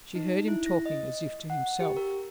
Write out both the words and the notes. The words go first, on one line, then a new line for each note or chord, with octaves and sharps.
She heard him talking, as if to himself.
D#4
E4
A#6
D#5
F#5
G4
A#4